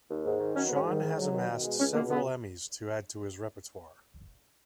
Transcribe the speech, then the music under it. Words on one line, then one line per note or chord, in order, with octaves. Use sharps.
Sean has amassed several Emmy's to add to his repertoire.
D#2
G#2
D#3
F#3 C#4
B3
G#2
C#4
D#3
G#2
F#3
D#3
B2
G#3
C#2 C#4
B2 A#3
C#2 B3